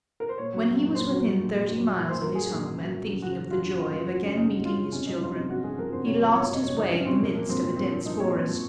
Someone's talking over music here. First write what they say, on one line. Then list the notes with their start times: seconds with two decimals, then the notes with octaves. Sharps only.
When he was within thirty miles of his home, and thinking of the joy of again meeting his children, he lost his way in the midst of a dense forest.
0.20 A#4
0.29 C5
0.38 A#2 C#5
0.53 F#3
0.67 F#3
0.82 A#2
0.95 A#2 C5
1.10 F#3
1.24 F#3
1.37 A#2
1.52 A#2
1.66 F#3
1.80 F#3
1.94 A#2
2.09 A#2 C5
2.22 F#3 A#4
2.35 F#3 G#4
2.48 A#2 A#4
2.65 C#3
2.80 F#3
2.94 F#3
3.08 C#3
3.22 C#3 F#4
3.37 F#3
3.50 F#3 F4
3.65 C#3
3.79 C#3 F4
3.93 F#3 F4
4.08 F#3 F#4
4.23 C#3
4.27 C#4
4.36 C#3 D#4
4.50 F#3
4.64 F#3 F4
4.79 C#3
4.92 C3 C#4
5.07 F3 D#4
5.21 F3 F4
5.36 C3 D#4
5.50 C3 F#4
5.64 F3 G#4
5.78 F3 A#4
5.92 C3 C5
6.06 C3 C#5
6.20 F3
6.34 F3 C#5
6.49 C3 D#5
6.63 C3 C#5
6.77 F3 D#4
6.92 F3 C#4
7.05 C3 C4
7.20 A#2 A#3
7.34 F3 A#3
7.49 F3 C4
7.62 A#2 C4
7.77 A#2 C4
7.92 F3
8.05 F3 D#4
8.20 A#2 C#5
8.34 A#2
8.48 F3